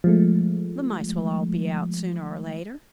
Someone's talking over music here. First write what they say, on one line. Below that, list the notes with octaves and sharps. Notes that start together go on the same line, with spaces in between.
The Mice will all be out sooner or later.
F3 G#3 A3